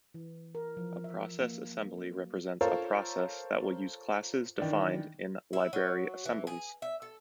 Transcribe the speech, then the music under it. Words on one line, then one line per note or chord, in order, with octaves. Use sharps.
A process assembly represents a process that will use classes defined in library assemblies.
E3
A#4
F3
E5
A#3
F#3
F4 A4 A#4 C5 C#5 F5
D#3 E3 D4
E4
F#3
E3
G#4
E5
A4